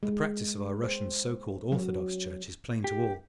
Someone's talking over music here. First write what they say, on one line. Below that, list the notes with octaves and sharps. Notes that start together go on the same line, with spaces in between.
The practice of our Russian so-called Orthodox Church is plain to all.
G#3
C5
F#3
G4